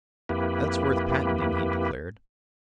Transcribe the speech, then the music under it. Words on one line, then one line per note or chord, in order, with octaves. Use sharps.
"That's worth patenting," he declared.
F2 A#3 E4 G4 B4